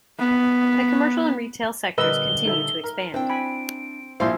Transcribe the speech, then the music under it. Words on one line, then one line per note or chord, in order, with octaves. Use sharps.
The commercial and retail sectors continue to expand.
B3
A#2 D3 G3 A#4 B4 D#5 E6 G7
D#4 A4 E5
A#4
C4 D4 E4 G5
G#5 B5 D7
A#1 E4 F#4 C5 D5 F5 C6